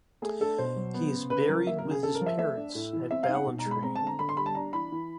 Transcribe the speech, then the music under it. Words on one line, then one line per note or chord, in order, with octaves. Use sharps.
He is buried with his parents at Ballantrae.
A3 G#4
D4 A4
B2 C5
F#3
B3
C#3
C#3 B4
F#3 A#4
A#3 E5
A#4
C#3
G#4
C#3 A4
A#4
F3
E5
A3 E5
D4
A2
E3
C4 E5
F5
D#4
F#5
B2
A#5
G#3
B5
C4 A#5
A5
D3 A#5
D3 B5
C6
G3 B5
A5
D4 A#5
E3 B5
E3